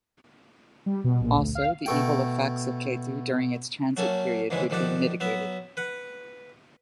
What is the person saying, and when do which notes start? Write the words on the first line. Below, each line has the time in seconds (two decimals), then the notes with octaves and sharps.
Also the evil effects of Ketu during its transit period would be mitigated.
0.86 G3
1.04 B2
1.21 A#1
1.34 D2
1.55 F5
1.86 B2 A3 G5
3.97 F#3 A3 A#3 C#4 A4
4.50 D#2 G#2 C#3 E3 G#3 E4
4.70 D2 D#3 F3 G4 D5 F#5
5.20 F#3 B3 E5
5.77 B4 F#5